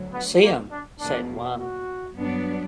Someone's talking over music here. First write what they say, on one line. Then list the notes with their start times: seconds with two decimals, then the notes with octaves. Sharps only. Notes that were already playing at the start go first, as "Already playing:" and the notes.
'See 'em,' said one.
Already playing: D2 F#3
0.13 B3
0.43 A#3
0.71 D4
1.00 E2 B2 A#3 D4
1.58 F#4
2.16 G2 F#3 B3 D4